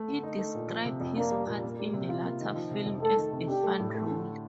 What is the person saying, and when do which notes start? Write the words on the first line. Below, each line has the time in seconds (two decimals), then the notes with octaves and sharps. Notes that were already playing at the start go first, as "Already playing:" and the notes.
He described his part in the latter film as a "fun role".
Already playing: A3
0.08 D3
0.23 D#4
0.39 A3
0.55 A#2
0.70 F3
0.85 C3
1.01 F2
1.16 A#3 D4
1.31 G3
1.47 A#2
1.63 A#3
1.79 G3
1.93 C3
2.09 F4
2.25 A#3
2.40 D#3
2.56 F3
2.71 C3
2.86 F2
3.02 A3 A4
3.17 D#3
3.32 C3
3.48 D4 G4
3.63 A3
3.80 A2
3.94 A3
4.10 D3